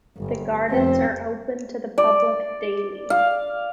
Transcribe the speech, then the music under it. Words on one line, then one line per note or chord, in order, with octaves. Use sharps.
The gardens are open to the public daily.
G1
F1 C4
D5
F5